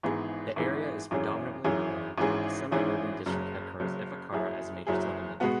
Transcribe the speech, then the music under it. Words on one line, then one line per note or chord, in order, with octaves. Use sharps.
The area is predominantly rural with the semi-urban district headquarters Ifakara as major settlement.
G#1 G#2 E3 B3 G#4
G#1 G#2 E3 B3 G#4
G#1 F#2 E3 C#4 G#4
G#1 F#2 E3 C#4 G#4
G#1 G#2 E3 C#4 G#4
G#1 G#2 E3 C#4 G#4
F#1 F#2 C#3
F#1 F#2 C#3
F#1 F#2 F#3 E4 G#4
F#1 F#2 F#3 E4 G#4
B2 G#3 B3 F#4